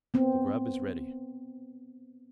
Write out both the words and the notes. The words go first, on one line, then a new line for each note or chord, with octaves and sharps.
The grub is ready.
B3 C4